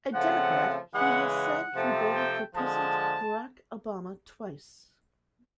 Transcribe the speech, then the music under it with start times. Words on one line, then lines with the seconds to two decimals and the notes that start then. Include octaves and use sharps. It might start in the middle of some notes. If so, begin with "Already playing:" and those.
A Democrat, he has said he voted for President Barack Obama twice.
0.14 C#3 F3 A3 C4 F#5
0.95 C#3 E3 G#3 F#5
1.34 F#5
1.75 C3 F3 A3 C4
2.15 G5
2.55 D3 F3 G#3 A5